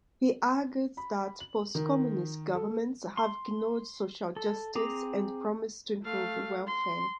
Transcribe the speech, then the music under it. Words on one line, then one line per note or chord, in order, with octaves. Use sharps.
He argued that post-Communist governments have ignored social justice and promised to improve welfare.
B5
F#7
D#3
A4
C6
A4
C4 G#4 A#5 D6
A3 F5
C6